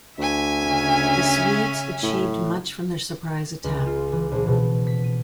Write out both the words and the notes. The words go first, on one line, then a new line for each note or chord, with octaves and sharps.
The Swedes achieved much from their surprise attack.
D2 E5 G#5
C#3 C#4
A2
C#2
F4
E3
A#1
B2
B6
D#7